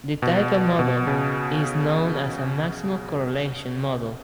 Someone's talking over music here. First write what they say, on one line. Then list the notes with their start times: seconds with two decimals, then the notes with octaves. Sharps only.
This type of model is known as a maximum correlation model.
0.22 B2
0.79 B2
1.07 C#3